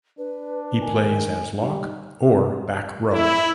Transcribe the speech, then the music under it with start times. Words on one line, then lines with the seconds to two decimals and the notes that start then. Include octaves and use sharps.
He plays as lock or back row.
0.18 D4 B4
0.81 D#3 G#5
1.62 G3 D#4
3.12 E4